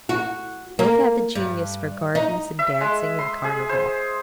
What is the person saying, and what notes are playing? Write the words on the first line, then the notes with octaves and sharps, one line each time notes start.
Both have a genius for gardens and dancing and carnival.
F#4
A#3
G2
D#4
E5
G#3
C6
G#4
C5